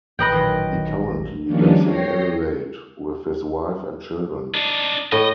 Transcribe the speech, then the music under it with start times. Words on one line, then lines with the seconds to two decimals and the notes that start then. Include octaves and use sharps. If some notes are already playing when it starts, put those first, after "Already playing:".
He currently lives in Adelaide with his wife and children.
0.19 A1 B2 B4 D#5 G5 A#6
0.32 F#2 A#2 D#3
0.73 D#3
1.46 D#3 F3 G3 A#3 C#4 D4
1.84 C#5 G5 A#6 C7
4.54 D4 D#4
5.12 A2 D#5